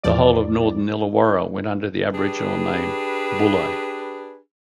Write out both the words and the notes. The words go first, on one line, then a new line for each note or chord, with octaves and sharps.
The whole of Northern Illawarra went under the Aboriginal name Bulli.
E2 F3 D5
D4 G4 G#4 B4